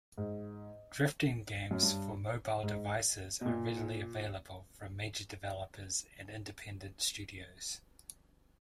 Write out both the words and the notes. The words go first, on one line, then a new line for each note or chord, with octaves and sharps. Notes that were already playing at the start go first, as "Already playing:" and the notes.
Drifting games for mobile devices are readily available from major developers and independent studios.
G#2
F#2
G2
G#2
B2
A#2